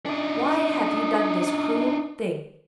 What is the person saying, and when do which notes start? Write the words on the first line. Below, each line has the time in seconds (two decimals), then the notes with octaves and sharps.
"Why have you done this cruel thing?"
0.06 D4 D#4